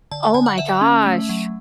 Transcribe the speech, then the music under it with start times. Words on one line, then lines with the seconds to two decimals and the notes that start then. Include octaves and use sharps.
Oh my gosh.
0.11 D3 A5
0.23 A5
0.34 D3 G#5
0.46 F#5
0.58 D3 E5
0.81 C#4
1.06 A3
1.29 F#3